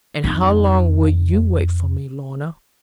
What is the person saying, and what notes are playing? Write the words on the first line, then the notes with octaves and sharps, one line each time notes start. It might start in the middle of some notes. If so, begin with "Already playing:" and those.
And how long would you wait for me, Lorna?'
F2 D#4